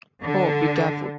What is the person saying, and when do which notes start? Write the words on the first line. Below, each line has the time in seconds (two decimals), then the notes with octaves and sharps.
Oh, be careful.
0.25 D3